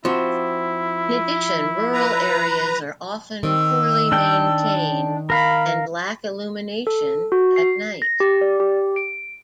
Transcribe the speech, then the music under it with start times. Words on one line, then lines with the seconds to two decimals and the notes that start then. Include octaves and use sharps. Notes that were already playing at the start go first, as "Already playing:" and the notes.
In addition, rural areas are often poorly maintained and lack illumination at night.
0.05 F3 C4 E4 F#4
1.93 B4 A#5
3.43 D#3 C4 E6
4.12 D4 G5
5.30 A#4 F5 B5
6.87 A4
7.32 F#4
7.56 C7
8.02 A#6
8.20 G4
8.41 D5
8.60 G4
8.96 D7